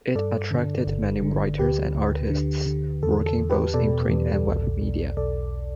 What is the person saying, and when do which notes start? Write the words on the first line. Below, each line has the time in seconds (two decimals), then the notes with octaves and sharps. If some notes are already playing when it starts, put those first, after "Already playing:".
It attracted many writers and artists, working both in print and web media.
0.15 G2 A4 D5
0.51 D3
0.87 G1
1.22 D3
1.58 D2 G4 B4
1.95 D2
2.30 D3
2.66 D3
3.03 E2 A4
3.26 A4
3.38 E2
3.50 G4 B4
3.74 B2 A4 D5
4.09 E2
4.46 B1
4.81 B1
5.17 B1 A4 D5